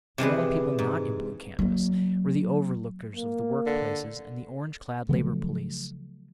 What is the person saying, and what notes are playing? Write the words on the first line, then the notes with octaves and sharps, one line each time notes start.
The only people not in blue canvas were the overlookers of the work-places and the orange-clad Labour Police.
C3 E3 G#3 B4
G#2
F#3 A#3
A#3
D3
C#3 F3 F#3 A3